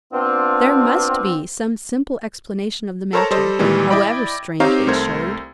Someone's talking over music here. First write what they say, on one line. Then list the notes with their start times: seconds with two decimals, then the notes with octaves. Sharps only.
There MUST be some simple explanation of the matter, however strange it showed!
0.13 B3 C4 D4 F4
3.13 A4 A#4 C5 C#5 A5 A#5
3.31 G3 A4 C5 D#5
3.59 A#2 D#3 E3 G3 G#3
3.90 E4 D5 D#5 G5 B5
4.60 C4 D#4 G4 C#5 F5 A#5
4.87 C2 A3 A#4 C5 G#6